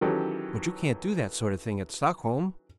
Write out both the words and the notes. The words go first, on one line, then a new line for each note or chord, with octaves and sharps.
"But you can't do that sort of thing at Stockholm!"
D#3 E3 F#3 C#4 G4 A4